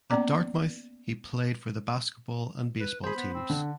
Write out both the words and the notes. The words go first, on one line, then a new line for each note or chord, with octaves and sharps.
At Dartmouth he played for the basketball and baseball teams.
A#3 B3 C#4 D5 A#5 D6
B4
G#4 C5 B5
B3
C4
D3